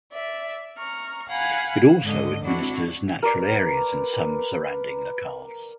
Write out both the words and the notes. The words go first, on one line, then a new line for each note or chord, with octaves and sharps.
It also administers natural areas in some surrounding locales.
D5 E5
A#5 C#6 F6
F5 F#5 G#5 B5
G#2 D3 D#5
C4 D4 E4 F#4
A#4 B4 D5